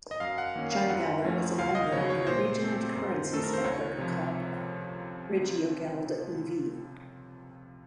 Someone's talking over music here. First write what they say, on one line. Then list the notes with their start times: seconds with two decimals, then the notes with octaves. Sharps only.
Chiemgauer is a member of a regional currencies' network called Regiogeld e.V.
0.11 D#5
0.20 F#2 F5
0.38 F#5
0.55 D#3 A#3 C#4
0.72 F5
0.89 F#2 F#5
1.24 F3 A3 C#4
1.58 C#2 F5
1.75 D#5
1.92 C#3 F#3 C#5
2.10 C#5
2.27 A#2 C5
2.61 A3 C4
2.96 F#2
3.31 D#3 A3 A4
3.43 A#4
3.53 C5
3.64 C#2 C#5
3.98 C3 F3